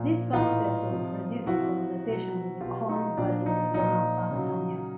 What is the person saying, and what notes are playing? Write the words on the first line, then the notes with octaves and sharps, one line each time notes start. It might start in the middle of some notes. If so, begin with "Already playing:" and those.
This concept was produced in consultation with the Colne Valley Regional Park Panel.
Already playing: A#2 F3
A2 E3 D#4 F4
C3 F3
C3 F3 E4 F#4
B2 F#3
B2 F#3 F4 G4
D#4
A#2 F3 D4
D#4
A#2 F3 D#4
C#3 F#3